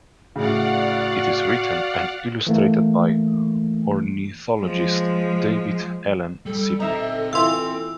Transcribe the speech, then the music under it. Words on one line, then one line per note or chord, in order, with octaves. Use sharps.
It is written and illustrated by ornithologist David Allen Sibley.
A2 C#3 F#4 D5 F5 F#5
E3 A3 A#3
F3 G#3
G3 A4
C4 D#4 E5 A#5
E3 F4 C6 E6